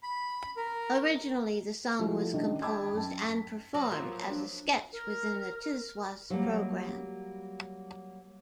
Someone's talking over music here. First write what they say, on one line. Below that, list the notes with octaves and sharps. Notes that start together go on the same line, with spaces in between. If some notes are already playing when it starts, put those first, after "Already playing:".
Originally the song was composed and performed as a sketch within the "Tiswas" programme.
B5
A#4
F3 G3 A3 E4 F#4
D#3 C#4 D4
G5 A5 B5 D6 E6 G#6
F#2 A5
B6
F#3
F3 F#3 A#3
D4
A#4
F#3 G3 A#3